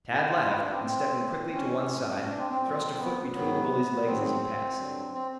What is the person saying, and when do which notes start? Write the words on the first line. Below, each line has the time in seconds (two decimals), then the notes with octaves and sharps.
Tad laughed, and stepping quickly to one side, thrust a foot between the bully's legs as he passed.
0.11 E4
0.29 F4
0.46 G2 E3 E4
0.59 D4
0.71 C4
0.83 C4
1.18 A2 E3
1.54 C#4
1.91 A2 F3
2.26 D4
2.38 C4
2.50 C4
2.62 A#2 F#3
2.98 B3
3.34 G#2 D#3 F#3 B3
4.06 G#2 D#3 F#3 C4
4.24 C4
4.42 C4
4.78 G2 D3 F#3
5.14 C4